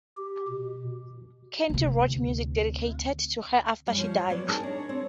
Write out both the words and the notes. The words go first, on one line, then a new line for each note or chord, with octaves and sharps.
Keith wrote music dedicated to her after she died.
G4
B2
D2 C3
F#2 G3
F3 C#5
F#3 B3 D5
D#4 G#4 A#4 A5
D4 C#5
C4